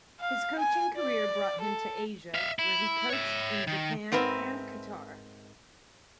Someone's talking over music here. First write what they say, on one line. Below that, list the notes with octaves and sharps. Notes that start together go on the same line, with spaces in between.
His coaching career brought him to Asia, where he coached in Japan and Qatar.
F5
G#5
D5
A4
E5 F5
E4
C#5 E5
D#3
G#2 C4 A#4 B4 E5